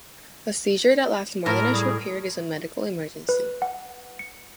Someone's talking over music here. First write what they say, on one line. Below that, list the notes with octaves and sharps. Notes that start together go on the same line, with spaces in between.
A seizure that lasts more than a short period is a medical emergency.
A2 A#4
G3 G#4
B4
F#5
C#7